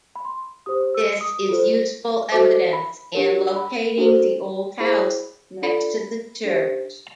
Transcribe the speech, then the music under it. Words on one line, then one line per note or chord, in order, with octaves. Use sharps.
This is useful evidence in locating the old house next to the church.
B5
C6
G4 C5 D#6
E6
D#6
F4 A4 C5
F#4 A4 C5 D6
B5
D4 G4 A#4 C#5
B5
D4 F#4 A4 C5
E4 G#4 C5 B5
D4 F4 A4 D5 B5
D4 G4 C5